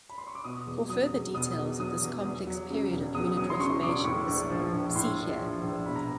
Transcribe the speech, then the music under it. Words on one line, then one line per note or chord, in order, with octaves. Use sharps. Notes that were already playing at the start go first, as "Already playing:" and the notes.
For further details of this complex period of unit reformations, see here.
B5
C6
C#6
D6
B2 D#6
E2
F#3 D#6
E2
B2 D#6
E2
F#3 D#6
E2
E2
F#3
C#3
E1
E2 D#6
F#3 D#6
C6
C#3 C#6
E1 D6
A2 C#6
A#1
F3
A#1
A2 C6
A#1
F3
A#1
B2 B5
A#5